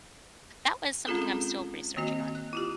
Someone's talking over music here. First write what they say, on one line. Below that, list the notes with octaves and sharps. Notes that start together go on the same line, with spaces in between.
that was something I'm still researching on.
G#3 C4 C#4 F4 G#4 A4
D#3 A#3 C4 F#4 D#5
F#6
E4 F4 G4